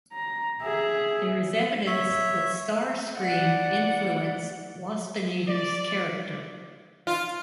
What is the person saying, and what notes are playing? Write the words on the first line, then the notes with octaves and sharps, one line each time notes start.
There is evidence that Starscream influenced Waspinator's character.
A#5
G#4 E5
C#5 E5
D5 F#5
D5
F4